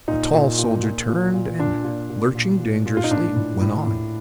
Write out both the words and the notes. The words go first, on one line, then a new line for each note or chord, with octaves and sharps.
The tall soldier turned and, lurching dangerously, went on.
A#2 D#4
A#2
A#2
A#2
A#2
A#2
A#2 D4
A#2
A#2
A#2
A#2
A#2
F4
D#4
A2 D4
A2
A2
A2